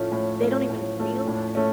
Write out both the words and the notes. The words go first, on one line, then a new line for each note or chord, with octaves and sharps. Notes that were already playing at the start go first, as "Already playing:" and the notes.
they don't even realize
Already playing: A2 F3 A3 C#4
A2
F3 A3 C#4
A2
F3 A3 C#4
A2
A3 C#4